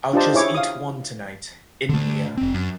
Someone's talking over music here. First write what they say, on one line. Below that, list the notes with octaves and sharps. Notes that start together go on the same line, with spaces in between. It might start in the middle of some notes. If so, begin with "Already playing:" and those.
I’ll just eat one tonight, India.
D4 F4 G4 C5 D#5 A5
E4 G#4 C#5 D6
F5 D#6
D3 A3
F1 C4
F#2